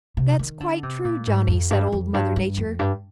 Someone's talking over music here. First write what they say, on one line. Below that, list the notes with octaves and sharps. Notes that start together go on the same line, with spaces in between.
"That's quite true, Johnny," said Old Mother Nature.
C3
D#3
D3
C3
A#2
G#2
F2
G2
F2
G2
G2
F2
G2